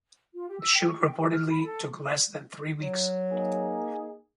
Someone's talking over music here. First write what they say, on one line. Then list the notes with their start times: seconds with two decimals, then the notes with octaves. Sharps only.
The shoot reportedly took less than three weeks.
0.33 F4
0.48 G4
0.60 E6
0.73 G5
0.87 C#6
1.04 G5
1.17 G4
1.31 F6
1.49 B5
1.62 A4
2.82 F#3
3.30 A#3 D#4 G#4